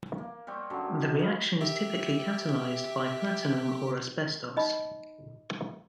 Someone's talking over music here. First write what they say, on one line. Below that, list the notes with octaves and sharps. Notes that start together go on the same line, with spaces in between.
The reaction is typically catalyzed by platinum or asbestos.
A#3
G3 C4 C#5 G5
F#2 D3 F#3
D#4
C#5 D#5 F5 B5
G4 E5
D#4 D#5 B5